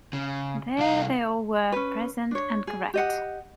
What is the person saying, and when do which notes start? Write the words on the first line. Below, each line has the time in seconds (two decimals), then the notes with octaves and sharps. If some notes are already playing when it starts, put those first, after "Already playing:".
There they all were, present and correct.
0.13 C#3
0.78 C2 F5
1.72 C#4 B4
2.31 D4 C#5
2.67 G#4
2.94 G4 D#5 F#5